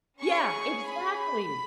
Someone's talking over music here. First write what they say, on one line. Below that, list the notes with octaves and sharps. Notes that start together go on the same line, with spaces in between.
Yeah, exactly,
C#4 G#4 C#6
B5